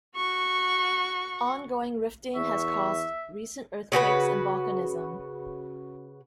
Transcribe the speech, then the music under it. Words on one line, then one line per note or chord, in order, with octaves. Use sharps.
Ongoing rifting has caused recent earthquakes and volcanism.
F#4 C#6
E2 E5 C#6
C#3 F#4 G#4 B4